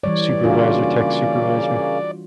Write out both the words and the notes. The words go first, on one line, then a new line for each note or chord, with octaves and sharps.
Supervisor tech supervisor.
E3 G3 C#5 D5
C#3 A#3 C#4 D4 F4 F#4